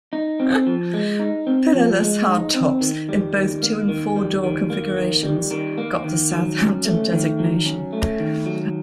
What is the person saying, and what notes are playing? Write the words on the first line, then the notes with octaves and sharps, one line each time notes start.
Pillarless hardtops, in both two and four door configurations, got the Southampton designation.
D#4
C4
F3
G#3
D#4
C4
F3
G#3
D#4
C4
D#3
G3
D#3
A#3
D#3
G3
D#3
A#3
D#3
G3
D#3
A#3
D#3
F#3
C#4
A3
D#3
F#3
C#4
A3
D#3
F#3